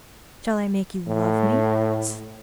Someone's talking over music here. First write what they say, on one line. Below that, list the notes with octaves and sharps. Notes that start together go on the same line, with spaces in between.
Shall I make you love me?...
A2